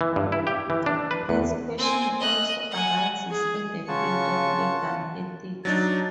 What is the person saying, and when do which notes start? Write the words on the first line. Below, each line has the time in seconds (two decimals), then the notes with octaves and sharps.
This question also arises in the field of legal ethics.
0.01 E3
0.16 G2
0.32 E4
0.47 G4
0.70 E3
0.86 D4
1.11 B4
1.29 E2
1.78 C4 G#5
2.20 D#5 F#6
2.71 F#5 G#5
3.31 G#4
3.88 C#3 F4 F#5 A5 C#6
5.65 F#3 D4 D#4 A6